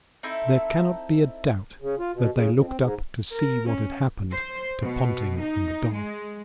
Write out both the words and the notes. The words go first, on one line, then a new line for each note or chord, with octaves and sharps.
There cannot be a doubt that they looked up to see what had happened to Ponting and the dogs.
C4 D#4 E4 A4
C#3
F4
B2
C#3
F2
C4
G#2
A#4
C#4
C5
B2
D#4
G#3